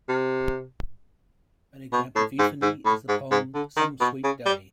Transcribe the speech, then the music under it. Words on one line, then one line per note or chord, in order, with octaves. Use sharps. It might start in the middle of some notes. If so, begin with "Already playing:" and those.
An example of euphony is the poem "Some Sweet Day".
C3
B2
A2
G#2
G#2
A2
G#2
G#2
D3
D#3
B2
C#3
G3